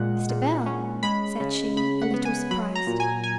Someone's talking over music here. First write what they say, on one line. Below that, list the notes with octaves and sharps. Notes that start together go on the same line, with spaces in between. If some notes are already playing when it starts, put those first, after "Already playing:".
'Mr. Bell!' said she, a little surprised.
Already playing: A#2 G#3 F#5
A#2
C#4
G#3 B5
C#3
C#3 B5
F#5
B3
G#5
F#3 B5
A#5
A#2
G#5
G#5